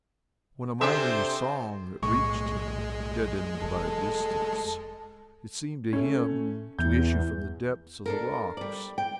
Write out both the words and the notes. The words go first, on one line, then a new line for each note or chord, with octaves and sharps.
When a miner's song reached him, deadened by distance, it seemed to him to issue from the depths of the rocks.
C3 D4 A4 C5 E5 G#5
B1 A2 G#3 C#6
F1 A4
A3 C#4
E2 G6
D4 A4 A#4
G3 D5
G5